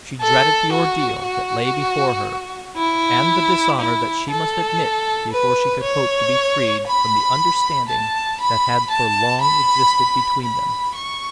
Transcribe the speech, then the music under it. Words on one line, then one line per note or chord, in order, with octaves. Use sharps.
She dreaded the ordeal that lay before her and the dishonor that she must admit before she could hope to be freed from the understanding that had for long existed between them.
A4
F#4
F#4
E4
E4
A4
B4
C#5
B5
A5
B5
A5
B5
B5
C#6